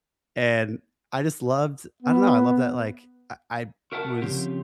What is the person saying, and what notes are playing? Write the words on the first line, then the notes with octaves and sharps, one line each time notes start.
and I just loved I don't know. I loved that, like, I I was
B3
F#4 A#4 E5 F#5 A5
C#3 F3 C4 G4